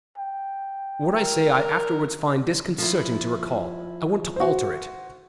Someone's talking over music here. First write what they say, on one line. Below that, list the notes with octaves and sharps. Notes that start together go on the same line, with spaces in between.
What I say, I afterwards find disconcerting to recall. I want to alter it.
G5
A#4
F3 E4
F#4 C5